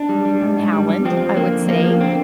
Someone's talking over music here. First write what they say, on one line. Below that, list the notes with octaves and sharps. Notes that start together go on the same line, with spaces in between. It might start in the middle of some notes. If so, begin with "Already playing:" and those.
talent, I would say,
Already playing: D4
G3
G3
G#2
G#2
G3
G3
F3 C4
F2
D3 A#3
F2
F3 A#3
F2 A#3
D3 C4